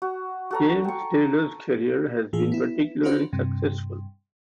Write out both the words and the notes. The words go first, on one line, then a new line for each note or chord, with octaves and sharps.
James Taylor's career has been particularly successful.
F#4
F#4 A4 A#5
G5 C#6
A2 E3 F4 G#4
B3 E4
C#4 D4 F4 F#4 B4 C5
G2 C3